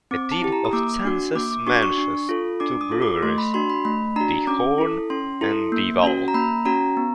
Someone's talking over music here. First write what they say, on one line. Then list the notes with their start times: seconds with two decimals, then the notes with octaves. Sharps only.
A deed of census mentions two breweries, "De Hoorn" and "De Valck".
0.11 C4 D6
0.32 A5
0.42 E4 G4
0.52 A#5
0.65 D#6
0.73 A#3 D6
1.04 D4 F#4
1.35 A#3 D6
1.51 D6
1.67 D4 F#4 C#6
1.83 C#6
1.98 D4
2.29 F4 A4
2.60 D4 D6
2.81 D#6
2.91 F4 A4
3.02 D6
3.23 A3 C6
3.38 B5
3.54 D4 F#4 C6
3.70 B5
3.85 A3 B5
4.16 D4 F#4 A#5
4.47 C#4 D6
4.78 E4 A4
5.10 C#4 C6
5.41 E4 A4
5.72 A#3
6.03 C#4 F#4
6.28 A#5
6.34 A#3 B5
6.65 C#4 F#4 A#5
6.97 B3